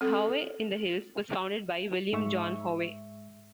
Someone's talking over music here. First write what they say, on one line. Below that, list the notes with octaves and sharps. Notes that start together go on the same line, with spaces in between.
Howey-in-the-Hills was founded by William John Howey.
C4 A4
G#2 G#3 E5 C#6